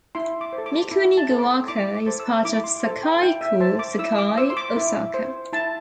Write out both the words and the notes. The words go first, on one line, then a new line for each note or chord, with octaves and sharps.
Mikunigoaka is part of Sakai-ku, Sakai, Osaka.
E4 C6
D6
C5
A4
D6
E4
A5
A4 C5
D6
C6
E4 D6
D6
A4 C5
E6
E4 D6
C6
A4 C5
G5
E4 G5
E5
C5 A5
D6
E4 E6
D6
C5 E6
C6
D6
E4
C5
E4 A5